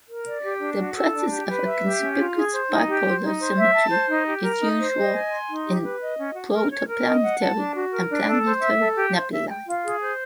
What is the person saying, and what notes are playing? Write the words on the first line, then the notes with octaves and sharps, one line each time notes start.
The presence of a conspicuous bipolar symmetry is usual in protoplanetary and planetary nebulae.
A#4
D5
G4
D4
F#4
A4
D4
G4
B4
E5
G4
C#4
F4
G#4
C5
D#4
G4
C5
D#4
C5
E5
A5
C5
D#4
G4
A#4
D#4
C5
D#5
G#5
C6
D#4
G4
B4
D#5
C#4
F#4
A#4
C#5
A#4
D#5
F#5
A5
D4
F#4
A#4
D4
A4
C5
E5
A4
G4
C5
E5
G5
F4
G#4
C5